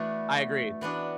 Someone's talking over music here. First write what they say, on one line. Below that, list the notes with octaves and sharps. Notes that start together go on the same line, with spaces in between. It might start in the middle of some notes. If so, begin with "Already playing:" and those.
I agree,
Already playing: E3 A3 B3 D4 F#4
A3
E3 B3 D4 F#4